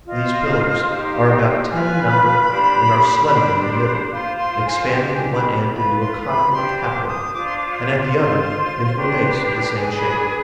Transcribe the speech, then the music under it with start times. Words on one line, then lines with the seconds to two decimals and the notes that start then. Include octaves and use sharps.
These pillars are about ten in number and are slender in the middle, expanding at one end into a conical capital and at the other into a base of the same shape.
0.07 F4 C5 D#5
0.77 D#5
0.88 D#4 G4 C5 F5
1.23 F5
1.28 G5
1.68 F4 B4 G#5
2.09 B5
2.49 D4 G4 C5
3.30 D4 G4 C5
4.11 F4 C5 C6
4.37 C6
4.65 G#5
4.91 D4 G4 C5 G5
5.12 G#5
5.32 B5
5.48 G#5
5.52 B5
5.72 F4 B4 B5
6.00 C6
6.26 B5
6.53 D4 G4 C5 C6
6.80 D6
7.07 D#6
7.33 D4 F4 C5 D6
7.46 C6
7.58 D6
7.75 C6
8.15 F4 C5
8.95 D4 G4 B4
9.76 D4 G#4 B4 G#5
9.97 B5
10.16 G#5